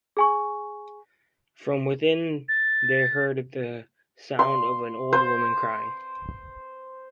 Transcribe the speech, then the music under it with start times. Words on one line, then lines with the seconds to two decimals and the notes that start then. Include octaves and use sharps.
From within they heard the sound of an old woman crying.
0.17 G#4 G#5 C#6
2.49 A6
4.39 C6
5.13 C5